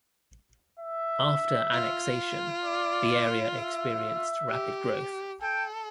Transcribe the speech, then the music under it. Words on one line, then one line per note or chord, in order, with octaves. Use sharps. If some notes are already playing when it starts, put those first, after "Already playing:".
After annexation, the area experienced rapid growth.
E5
F4
D5
E5
G4
A4 G5